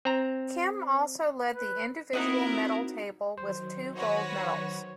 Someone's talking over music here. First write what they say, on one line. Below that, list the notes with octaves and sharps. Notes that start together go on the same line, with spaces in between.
Kim also led the individual medal table, with two gold medals.
C4 A#5
B4
C4 D#4 E4 F#4 A#4 D#5
D#3 F#3 C5
F#4 B4 C#5 A#6